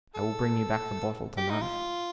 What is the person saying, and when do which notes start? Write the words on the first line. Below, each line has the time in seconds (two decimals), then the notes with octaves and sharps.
"I will bring you back the bottle to-night."
0.15 A4
1.37 G4
1.50 D#4
1.61 F4